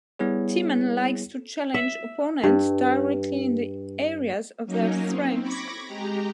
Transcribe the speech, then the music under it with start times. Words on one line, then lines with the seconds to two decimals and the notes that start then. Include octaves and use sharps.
Timman likes to challenge opponents directly in the areas of their strengths.
0.19 G3 B3 E4 G#4 C#5
1.74 E5
2.44 G2
4.66 F#3 A#3 C#4 D#4
5.09 C4
5.41 B5 C#6 D6 G#6 A#6
5.86 G#3 G4 A#5